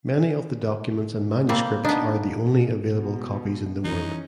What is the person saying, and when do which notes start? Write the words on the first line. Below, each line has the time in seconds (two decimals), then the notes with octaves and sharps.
Many of the documents and manuscripts are the only available copies in the world.
1.49 G3 A#3 C4
1.84 B3 D4 D#4
2.88 B2
3.84 E3 C#4 D#4